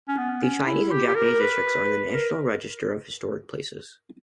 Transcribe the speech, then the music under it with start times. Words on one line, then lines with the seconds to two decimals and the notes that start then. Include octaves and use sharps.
The Chinese and Japanese districts are in the National Register of Historic Places.
0.08 C#4
0.18 B3
0.42 C#4
0.67 E4
0.91 G4
1.07 G4
1.15 A#4
1.40 B4
2.14 A#4